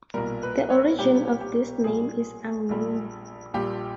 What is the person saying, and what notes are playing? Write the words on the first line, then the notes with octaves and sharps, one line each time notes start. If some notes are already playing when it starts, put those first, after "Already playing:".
The origin of this name is unknown.
B1 A#2 G3 A#4
B4
C#5
B1 A#2 G3 G4
G4
A#1 A#2 G3 G#4
A#1 A#2 G3
A#1 A#2 G3 G4